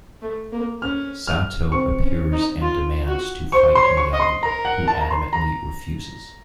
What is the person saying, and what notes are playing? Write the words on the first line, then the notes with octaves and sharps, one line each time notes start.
Sato appears and demands to fight Miyagi, who adamantly refuses.
A3
A#3
C#4 F6
F6
C4 C#6
C#4
D#4
F4
F#4
C5 C#6
C6
C#5
C#6
D#5
C6
A#4 A#5
F#5
A5
A#5
C6
A#5